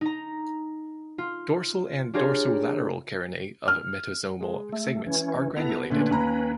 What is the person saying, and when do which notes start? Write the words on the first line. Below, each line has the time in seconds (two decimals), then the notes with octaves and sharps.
Dorsal and dorsolateral carinae of metasomal segments are granulated.
0.01 D#4 A#5
1.18 F4
2.14 D4 F4 G4 G#4 A#4 C#5
3.68 F6
4.40 G#3
4.73 A3
5.07 E3 C#4
5.57 B3 E4 A4 A#5
5.90 A#2 D3 A3 C#4 B4
6.11 D#2 A#5 B5